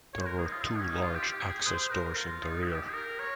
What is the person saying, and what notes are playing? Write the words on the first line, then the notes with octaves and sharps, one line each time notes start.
There were two large access doors in the rear.
C#5
C5
A#4
G#4
D#4
F4
D#4
C#4
D#4
F4
G4
G4
G#4
C5
A#4
F4
D#4
G4
G#4
A#4
C#5